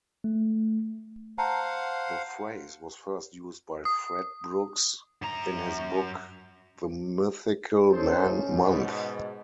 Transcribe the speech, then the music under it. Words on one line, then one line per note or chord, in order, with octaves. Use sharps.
The phrase was first used by Fred Brooks in his book "The Mythical Man-Month".
A3
C5 F5 F#5 A5 A#5
D#6
F#2 A#5
C#4 D#4 A4 C5
G#2 B2